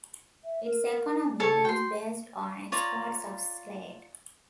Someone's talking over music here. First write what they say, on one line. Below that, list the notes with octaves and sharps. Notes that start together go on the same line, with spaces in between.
Its economy is based on exports of slate.
E5
A#4
C#3 A4 C#5 A5
F#4 G5 C6
F4 C#5 D5 A#5